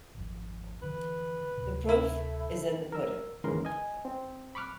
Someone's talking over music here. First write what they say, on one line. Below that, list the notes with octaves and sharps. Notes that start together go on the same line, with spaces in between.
The proof is in the pudding!
G#1 F2
F2 D3 E3 B4
D2 A2 C3
E4
A3
A#4 E6
D#2 G#2 C#3 E3 A#4 C6
D#5 G#5
C4
B5 C#6 D6 F6 F#6